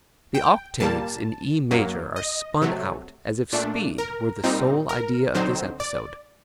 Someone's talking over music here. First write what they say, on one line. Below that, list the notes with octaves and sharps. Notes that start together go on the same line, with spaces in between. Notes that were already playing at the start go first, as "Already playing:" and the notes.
The octaves in E major are spun out as if speed were the sole idea of this episode.
G5
A#2 G3 A#3 A5
F#2 F#3 A#3
D#5
C3 F#3 A3
A#2 A3 D4
A#4
A#2 G3 C4 D#4
A#4
D3 F#3 C4 D#4 C5
D5